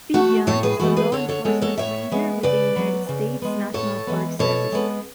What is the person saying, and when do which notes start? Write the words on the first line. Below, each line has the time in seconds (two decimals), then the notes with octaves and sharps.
Pigeon is a law enforcement ranger with the United States National Park Service.
0.14 A3 F#4 A4
0.47 A2 A4 C#5
0.63 G#4 B4
0.79 E3 G#3 B3 F#4 A4
0.96 G#4 B4
1.12 D3 A4 C#5
1.29 A4 C#5
1.45 G#3 B3 A4 C#5
1.61 A4 C#5
1.77 A2 C#5 E5
2.11 G#3 B3
2.43 C#3 B4 D5
2.76 F#3 B3
3.09 C#3
3.42 G#3 B3
3.74 A2 A4 C#5
4.07 E3 G#3 B3
4.39 B2 A4 C#5
4.72 G#3 B3